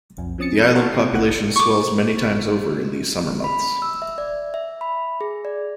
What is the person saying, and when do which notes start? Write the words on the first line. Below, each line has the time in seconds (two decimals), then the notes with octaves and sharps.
The island population swells many times over in the summer months.
0.17 B1 F2
0.38 F3 C4 C#4 D#6 A6 C#7
0.75 F#5 A5 A#5 C6 C#6 F6
0.92 C3 G4 D#6 C7
1.12 B1 A2 C3 F#5 F#6
1.56 C#6 D6
3.44 B5
3.82 E6
4.02 E5
4.18 D5
4.54 E5
4.81 B5
5.21 G#4
5.45 D5